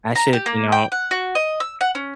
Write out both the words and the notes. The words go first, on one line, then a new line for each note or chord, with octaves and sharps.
I should," you know,
A#5
G4
A#3
G5
F#5
F#4
D#5
E6
F#5
C#4